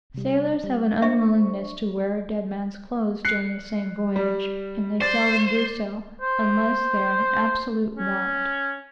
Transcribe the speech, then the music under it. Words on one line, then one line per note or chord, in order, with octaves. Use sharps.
Sailors have an unwillingness to wear a dead man's clothes during the same voyage, and they seldom do so unless they are in absolute want.
C3 G3
G3
D4 C5 E5 C#6
F#6 C7 C#7
G3
C5 D5 A6
C5
C#4